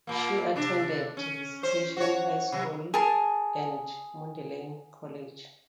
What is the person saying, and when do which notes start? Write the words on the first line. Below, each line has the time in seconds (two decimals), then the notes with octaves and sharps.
She attended Visitation High School and Mundelein College.
0.07 A#2 A#3
0.56 C3 D4
1.17 C#4
1.63 C#4 C5
1.97 F#4 C#5
2.52 C3 F#3
2.94 G#4 A#4 A5